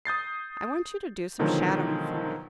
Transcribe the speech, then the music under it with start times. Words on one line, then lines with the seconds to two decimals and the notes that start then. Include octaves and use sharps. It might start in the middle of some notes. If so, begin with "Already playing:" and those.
"I want you to do some shadowing for me."
0.05 D#6 G6 A6 C7
1.39 B2 D3 D#3 F3 F#3 G#3